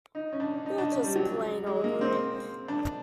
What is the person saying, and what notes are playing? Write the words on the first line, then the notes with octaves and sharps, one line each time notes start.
You're just plain old Rick!
D#4
C#4
D4
D#4
D4
C#4
G3
F#3
G#3
A#3
C4
D4